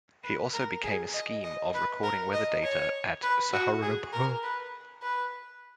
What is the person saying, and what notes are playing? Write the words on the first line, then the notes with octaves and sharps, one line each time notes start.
He also began a scheme of recording weather data at Saharanpur.
B4
A#4
G#4
D#5
D#5
B4
A#4
D#5
C#5
B4
F#4
G#4
A#4
B4
B4